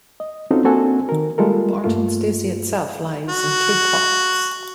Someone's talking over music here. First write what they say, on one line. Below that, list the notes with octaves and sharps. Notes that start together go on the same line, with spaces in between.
Barton Stacey itself lies in two parts.
D#5
C4 C#4 D#4 F4 F#4 A4
A#3 C4 D4 F#4 A4 G#5
D#3 A#4
G3 G#3 A#3 F4 A4 A#4
G2 A3 A#3 F4
F#4